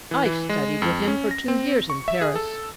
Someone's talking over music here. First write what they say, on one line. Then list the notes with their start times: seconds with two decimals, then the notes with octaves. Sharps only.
'I studied with him for two years in Paris.
0.11 E3
0.25 E3
0.49 G#3
0.82 F2
1.08 C#4
1.31 A#6
1.48 C4
1.90 C#6
2.08 E5
2.21 G#4
2.36 A4